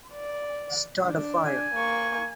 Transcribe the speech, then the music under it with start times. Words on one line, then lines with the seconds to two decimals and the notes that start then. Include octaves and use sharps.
Start a Fire.
0.14 D5
1.05 D4
1.45 G#5
1.75 A#3 C#6